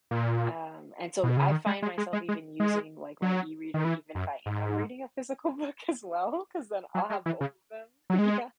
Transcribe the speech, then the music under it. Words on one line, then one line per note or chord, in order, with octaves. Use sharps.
um, and so I find myself even using, like, my e-reader, even if I am reading a physical book, as well, 'cause then I'll have both of them. Yeah,
A#2
B2
C#3
D#3
G#3
G#3
G#3
G#3
G#3
G#3
F#3
D#3
E3
F#2
G#2
F#3
G#3
E3
C#3
F#3
G#3